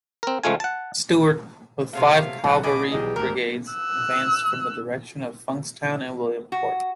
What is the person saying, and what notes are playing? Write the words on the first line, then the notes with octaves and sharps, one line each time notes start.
Stuart, with five cavalry brigades, advanced from the direction of Funkstown and Williamsport.
C4 A#4
C#2 F3 G#3 A3 F4 G#5
F#5 A5
C3 F#3 A3 F5
B1 D#4 A4 F#5
B2 D4 G#4 D#5 G#5 B5 D6
B1 E3 G4 D#5
D2 G#2 A#4
E6 F#6
F#4